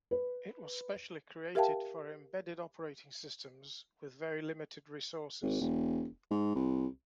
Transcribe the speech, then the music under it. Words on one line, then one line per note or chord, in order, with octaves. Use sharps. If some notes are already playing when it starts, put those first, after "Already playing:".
It was specifically created for embedded operating systems with very limited resources.
B4
G4 A#4 E5 F5 G5 A5
G#1
E1
G#2
C2